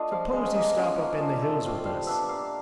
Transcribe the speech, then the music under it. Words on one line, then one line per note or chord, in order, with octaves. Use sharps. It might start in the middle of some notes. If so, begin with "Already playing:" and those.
S'pose you stop up in the hills with us.
Already playing: A3 D4 F4 D#5
F3 F5
G#3 C#4
A#3 D#5
C#4 F4
A#3
D4 F4
A3
C4 F4
G3 F5
B3 D4 E5
A#3 F5